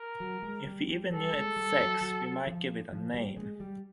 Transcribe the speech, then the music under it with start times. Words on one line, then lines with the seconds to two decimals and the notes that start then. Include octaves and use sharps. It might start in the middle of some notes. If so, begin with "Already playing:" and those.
If we even knew its sex we might give it a name.
Already playing: A#4
0.20 F#3
0.43 G#3
0.66 G3
0.88 G3
1.11 G3 A4
1.33 G#3
1.56 G3
1.79 F#3
2.01 F#3
2.47 F3
2.92 F3
3.14 G3
3.37 G#3
3.60 G3